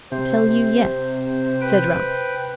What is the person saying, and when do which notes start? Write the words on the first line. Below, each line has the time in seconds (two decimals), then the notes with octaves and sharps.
I tell you yes,' said Ralph.
0.12 C3 C5
1.61 B4 G5